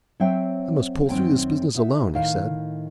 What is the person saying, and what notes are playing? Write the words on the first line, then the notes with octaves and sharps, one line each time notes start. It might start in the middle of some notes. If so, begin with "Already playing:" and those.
I must pull through this business alone,' he said.
F#3 C4 C5 E5 G5
F#2 D#3 C4 G5 G#5
D#4 F#4 E5
A2 D#3 F5